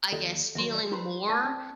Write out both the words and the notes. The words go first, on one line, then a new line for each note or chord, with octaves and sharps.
I guess, feeling more
D#2 G4 A4 D5 E5
D#2 F#3 E5 C6
D5
E4 G4 B4 C5 B5 C6
A3 D5 E5 G#5 A5
C4